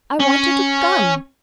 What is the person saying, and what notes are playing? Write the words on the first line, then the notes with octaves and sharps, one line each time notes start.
'I wanted to come.
C#4